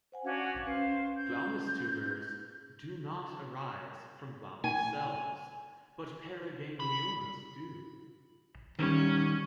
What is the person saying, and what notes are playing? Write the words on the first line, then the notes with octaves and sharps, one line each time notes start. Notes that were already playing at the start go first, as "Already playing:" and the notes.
Glomus tumors do not arise from glomus cells, but paragangliomas do.
C5 F#5 G#5
C#4 D4 F#4 F5 D6
C#4 B4 C5 F5
G6
G#5
B5
D#3 G3 C#4